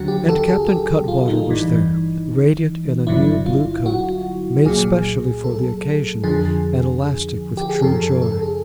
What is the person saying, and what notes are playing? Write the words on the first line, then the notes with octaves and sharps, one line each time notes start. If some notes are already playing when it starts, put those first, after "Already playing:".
And Captain Cuttwater was there, radiant in a new blue coat, made specially for the occasion, and elastic with true joy.
Already playing: D#2 D3 F#3 F#4
G4
A4
G#4
G4
F4
D#4
G1 G2 E3
G1 G2 D3 F#3 E4
F4
F#4
C2 A#2 F#3 G#4
A4
F2 D3 F3 G#4
G4
G#4
F#2 C#3 F3 A4
A4
A4
G#4